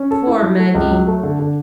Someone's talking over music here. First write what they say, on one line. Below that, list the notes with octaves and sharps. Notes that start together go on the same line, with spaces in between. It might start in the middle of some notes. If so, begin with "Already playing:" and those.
Poor Maggie!
Already playing: C#4
A4
E4
F#3
A3
C#2
F#3
A3
D3
D3